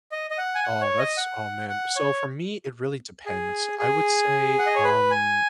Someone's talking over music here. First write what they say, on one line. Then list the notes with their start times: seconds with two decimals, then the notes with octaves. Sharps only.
Oh, that's Oh, man, so for me, it really depends, I would say, um
0.12 D#5
0.31 D#5
0.38 F#5
0.55 G#5
0.64 F#5
0.81 C#5
0.99 D#5
1.17 F#5
1.69 F#5
1.96 C#5
3.26 G#4
3.79 G#4
4.59 F#5
4.66 D#5
4.76 C#5
4.84 B4
5.11 G#5